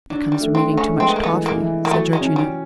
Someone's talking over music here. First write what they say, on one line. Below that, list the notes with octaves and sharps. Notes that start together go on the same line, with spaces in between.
"It comes from eating too much toffy," said Georgina.
F#3 D4
G3
A3
C4
A3
C#3 C#4
G#3 C4
B3
A#3
B3
E3
A#3
E3
A#3
F#3 A3
G#3
C#4
G3